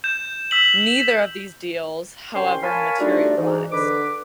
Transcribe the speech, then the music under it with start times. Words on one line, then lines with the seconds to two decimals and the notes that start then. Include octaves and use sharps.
Neither of these deals, however, materialized.
0.04 G6 E7
0.51 E6 B6 E7 F#7
2.35 C2 C#4 G5 C6
2.63 A#4 C#5 F5 G#5 A5 B5
2.99 G3 A3 D4 D#4 F4 F#4
3.38 G#2 E3
3.72 D3 B4 D6